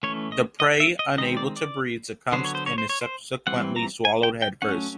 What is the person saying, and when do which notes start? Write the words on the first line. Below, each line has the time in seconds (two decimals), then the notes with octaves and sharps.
The prey, unable to breathe, succumbs and is subsequently swallowed head first.
0.03 E3 A3 C#4 C#5
0.32 D#5
0.60 D#5
0.80 E5
0.99 D#5
1.18 D#3 G#3 C4 D#5
1.37 D5
1.56 D5
2.32 D3 F#3 B3 C5
2.44 C#5
2.55 C5
2.66 C#5
2.78 C5
2.89 C#5
3.01 C5
3.47 E3 G3 C4 F#5
3.76 A#5
4.05 G#5
4.23 G5
4.42 G5
4.62 F#3 A3 C#4 F#5